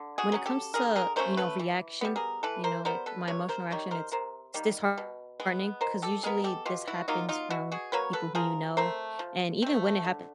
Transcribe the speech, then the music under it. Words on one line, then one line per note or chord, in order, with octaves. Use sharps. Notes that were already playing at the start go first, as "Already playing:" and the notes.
when it comes to, you know, reaction, you know, like my emotional reaction, it's it's disheartening, 'cause usually this happens from people who you know, and even when it happens
Already playing: D3
F#4 G#4
F#3 A3 C#4
G4 A4
D3 G#4 A#4
G#4 A#4
F#3 A3 C#4 A#4 C5
A4 B4
E3
G3 B3
G#4 A#4
E3 A4 B4
A#4 C5
G3 B3 A#4 C5
A4 B4
C3 B4 C#5
A#4 C5
D#3 G3 C#5
A#4 C5
C3 A#4 C5
D#3 G3 A#3
B2
G#3 B3
B2 A#4 C5
G4 A4
G#3 B3 G#4 A#4
G4 A4
B2 F4 G4
E4 F#4
F#3 A#3 D#4 F4
D#4 F4
B2 E4 F#4
F#4 G#4
F#3 A#3 B4 C#5
A4 B4
F3 G#4 A#4
A3 C4 A#4 C5
F3
A3 C4
D3